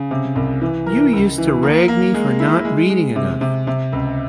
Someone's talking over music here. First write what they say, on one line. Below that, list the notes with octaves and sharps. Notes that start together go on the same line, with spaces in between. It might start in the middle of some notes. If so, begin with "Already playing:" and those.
You used to rag me for not reading enough.
Already playing: C#3
C3
C2
E3
A#4
C#2
E3
A#3
A#3
G#3
E4
G#3
G#3
C3
C3
C3
C#2